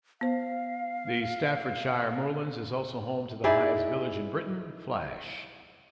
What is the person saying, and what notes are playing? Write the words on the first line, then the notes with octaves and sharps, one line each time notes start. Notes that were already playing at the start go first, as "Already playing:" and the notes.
The Staffordshire Moorlands is also home to the highest village in Britain, Flash.
B3 C5 F5
D#4 E4 G#4 D5